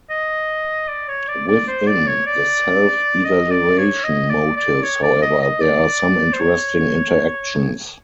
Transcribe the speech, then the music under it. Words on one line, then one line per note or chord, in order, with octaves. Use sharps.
Within the self-evaluation motives however there are some interesting interactions.
D#5
D5
C#5
D5
D5
C5
D5
C#5
D5
D#5
D5
C#5
D#5
D5
D5
C#5
D5
D#5
D#5
D5
C5
C#5